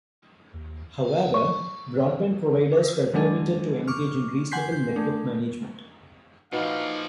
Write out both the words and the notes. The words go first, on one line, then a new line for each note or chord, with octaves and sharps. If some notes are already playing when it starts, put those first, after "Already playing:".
However, broadband providers were permitted to engage in reasonable network management.
D#2
C#6
D#3 F#3 G#3 D4 A4
C#6 D6 F6
F#5 G#5 C6 G6 B6 C7
G6
A3 D4
A#2 F3 D#4 F#4 B4 F5